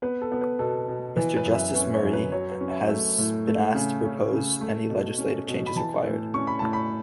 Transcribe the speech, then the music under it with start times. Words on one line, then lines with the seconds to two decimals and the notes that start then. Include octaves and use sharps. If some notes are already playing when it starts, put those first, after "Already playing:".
Mr Justice Murray has been asked to propose any legislative changes required.
0.02 B3 B4
0.21 A4
0.32 B3
0.41 B4
0.59 B2 A4
0.88 B2
1.16 E3 B4
1.37 B4
1.45 F#2
1.55 E5
1.74 C#4 B4
1.93 C#5
2.03 F#2
2.13 B4
2.32 F#3 C#5
2.52 B4
2.61 C#4
2.70 E5
2.89 A3
3.18 A2
3.47 A3
3.75 C#3
4.04 C#4
4.33 C#3
4.61 A3
4.89 B2
5.18 C#4
5.48 B2
5.66 B5
5.76 E3 A5
6.05 A2
6.34 C#4 C#6
6.47 B5
6.59 A2 A5
6.73 B5